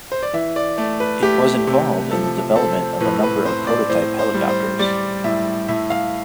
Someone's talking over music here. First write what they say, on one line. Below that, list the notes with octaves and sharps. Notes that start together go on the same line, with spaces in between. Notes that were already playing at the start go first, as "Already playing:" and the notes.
It was involved in the development of a number of prototype helicopters.
C5
D5
E3 E5
D5
A3 D5
B4
A3 G4
C3
F3 A4
C4 A4
A2 B4
B4
C4 C5
D5
A2 C5
C5
G3
C5
G3 D5
A2 E5
A2 E5
F5